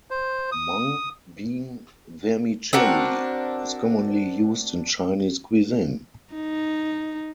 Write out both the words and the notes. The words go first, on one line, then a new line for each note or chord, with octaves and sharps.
Mung bean vermicelli is commonly used in Chinese cuisine.
C5
D#6
C4 D4 F#4 A#4
D#4